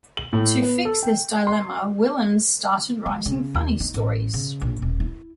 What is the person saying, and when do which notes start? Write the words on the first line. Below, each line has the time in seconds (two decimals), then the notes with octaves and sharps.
To fix this dilemma Willems started writing funny stories.
0.17 F#7
0.33 A2
0.62 B3
0.85 A4
1.03 G5
1.47 C6
3.06 G#3
3.26 C#3
3.55 D#2
3.80 D#4
3.94 A1
4.34 C#3
4.61 A#1
4.82 D#1
5.00 E4